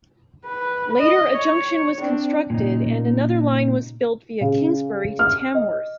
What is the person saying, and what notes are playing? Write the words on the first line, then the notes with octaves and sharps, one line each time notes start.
Later a junction was constructed and another line was built via Kingsbury to Tamworth.
B4
D#5
C#5
C4 D4
A#2 C#3 D#4
C#3
F6
D#5